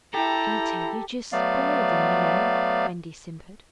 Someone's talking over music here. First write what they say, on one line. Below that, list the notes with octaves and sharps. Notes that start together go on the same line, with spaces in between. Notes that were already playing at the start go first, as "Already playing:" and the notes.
'Peter, you just spoil them, you know,' Wendy simpered.
E4 G4 A4 A#5 G6
F#3 A3 B3 D5 F5